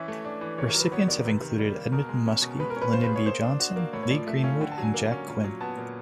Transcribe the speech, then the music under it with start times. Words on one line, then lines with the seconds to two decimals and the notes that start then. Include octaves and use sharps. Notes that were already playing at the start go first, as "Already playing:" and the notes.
Recipients have included Edmund Muskie, Lyndon B. Johnson, Lee Greenwood, and Jack Quinn.
Already playing: E3 C#4 E5
0.08 A3
0.25 D4
0.41 E3
0.58 D#3 C#5
0.70 F#3 A#4
0.80 B4
0.92 B3 C#5
1.08 D#3 D5
1.24 C3 B4
1.41 D#3
1.58 G3
1.75 A#3
1.92 B2 A#4
2.09 G#3
2.26 C#4
2.42 B2
2.59 G#3 B4
2.70 A#4
2.76 C#4
2.82 B4
2.92 F4 C5
3.04 B4
3.09 G#4
3.16 C#5
3.26 A#3 C5
3.43 D4
3.59 F#4
3.76 A#3
3.93 A2 C#5
4.03 C#5
4.10 F3 D5
4.27 A3 E5
4.43 C#4 F5
4.60 D3 G5
4.72 A5
4.78 F#3 G#5
4.94 A#3
5.11 C#4
5.28 A#2
5.44 F#3
5.61 B3 A5
5.78 A#2